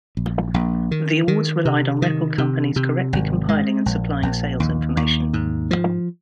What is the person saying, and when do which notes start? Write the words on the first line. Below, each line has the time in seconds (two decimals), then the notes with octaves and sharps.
The awards relied on record companies correctly compiling and supplying sales information.
0.17 A#1
0.54 A#1
0.91 D#3
1.28 D#3
1.65 C3
2.02 D#3
2.38 C3
2.76 C3
3.13 G#1
3.49 G#3
3.86 A#1
4.23 A#1
4.60 D#2
4.97 D#2
5.33 G#2
5.71 F3